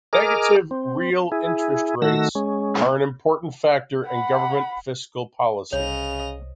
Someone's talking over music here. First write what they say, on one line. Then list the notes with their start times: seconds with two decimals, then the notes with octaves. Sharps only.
Negative real interest rates are an important factor in government fiscal policy.
0.13 G#4 A#4 D#5 D6 F6
0.71 C4
1.32 E4 G#4
2.02 D#3 A3 F#4 E6 A#6
2.35 G#3 C#4
4.06 F#5 B5
5.73 C2 C#3 C#5 D#5 F7